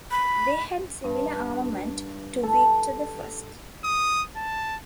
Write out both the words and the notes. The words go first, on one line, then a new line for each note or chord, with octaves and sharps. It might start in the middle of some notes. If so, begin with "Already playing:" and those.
They had similar armament to "Victor the First".
B5
G2
A4
D#6
A5